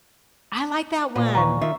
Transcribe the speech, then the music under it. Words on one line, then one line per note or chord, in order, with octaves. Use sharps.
I like that one.
A#2 B4 C5
D#2 B4 A#5 C#6
D#3 F4 E5